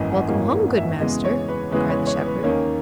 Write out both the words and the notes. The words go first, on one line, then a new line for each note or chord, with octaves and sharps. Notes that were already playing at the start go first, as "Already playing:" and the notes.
"Welcome home, good master!" cried the shepherd.
Already playing: G#1 F#2 E3 A#3 C#4 D#5
F#5
G#1 F#2 E3 A#3 C#4 D#5
E5
E2 C#3 E3 G#3 B3 D#5
C#5
B4
E2 C#3 E3 G#3 B3 B4
C#5
C#5
B4
D#2 D#3 A#3 C#4 C#5